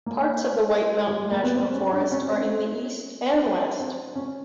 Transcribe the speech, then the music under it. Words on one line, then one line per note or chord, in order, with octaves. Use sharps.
Parts of the White Mountain National Forest are in the east and west.
A#3
G#3
A3
A#3
B3
C4
C#4
D4
C#4
C4
C4
C#4